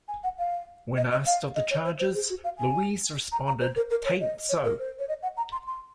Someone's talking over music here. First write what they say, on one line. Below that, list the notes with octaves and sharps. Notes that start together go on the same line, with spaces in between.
When asked of the charges, Louise responded: "T'ain't so".
G#5
F#5
F5
D#5
D#5
F5
D#5
C#5
C5
C5
G#4
F#4
F5
G#5
A#5
A#5
C5
A#4
A#4
C#5
D#5
C#5
A#4
C5
C#5
D#5
F#5
A#5
C6
C6